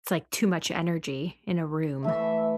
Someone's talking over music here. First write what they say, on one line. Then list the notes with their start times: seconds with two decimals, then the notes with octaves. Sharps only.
it's, like, too much energy in a room.
2.04 E3 A3 E5